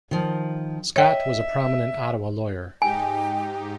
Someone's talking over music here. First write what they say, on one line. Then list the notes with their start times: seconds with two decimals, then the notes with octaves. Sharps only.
Scott was a prominent Ottawa lawyer.
0.11 D#3 F3
0.96 C#5 D#5 E5 G5
2.82 G#2 D#4 G4 G5 G#5